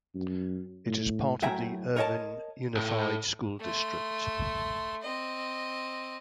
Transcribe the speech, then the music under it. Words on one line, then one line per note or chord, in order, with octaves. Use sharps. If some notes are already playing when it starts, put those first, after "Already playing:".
It is part of the Irvine Unified School District.
F#2
A2
F#2 A2 E5 G5 G#5 A#5
A#4 C#5 D#5 G#5 A5
A2
A3 C6
C4 D#5